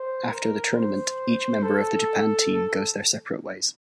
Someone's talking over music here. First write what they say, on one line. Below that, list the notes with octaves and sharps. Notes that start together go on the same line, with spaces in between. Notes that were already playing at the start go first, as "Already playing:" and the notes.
After the tournament, each member of the Japan Team goes their separate ways.
Already playing: C5
A#4
C5
A4